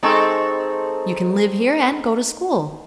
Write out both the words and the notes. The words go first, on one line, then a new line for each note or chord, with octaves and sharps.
You can live here, and go to school.
G#3 C4 D#4 A4 C#6